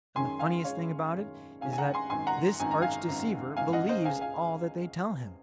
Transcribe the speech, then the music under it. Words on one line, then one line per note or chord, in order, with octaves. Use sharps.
And the funniest thing about it is that this arch-deceiver believes all that they tell him.
F#2 D#3 G#3 C#4 G#5 C6
F5 G#5
F#2 D#3 G#3 C#4 C#5 F5
F#2 D#3 G#3 C#4
F#2 D#3 G#3 C#4 F5 G#5
G#5
F#5 A#5
G#5 C6
G#1 F#2 D#3 G#5 C6
F#5 A#5
G#1 F#2 D#3 G#5
A#5
F5 G#5
G#1 F#2 D#3
G#1 F#2 D#3 F5 G#5
D#5 F#5
C5 D#5
C#2 C#3 G#3 C#4 F5 G#5
F5 G#5